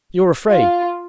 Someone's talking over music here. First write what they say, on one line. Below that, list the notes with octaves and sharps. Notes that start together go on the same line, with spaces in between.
You're afraid!
F4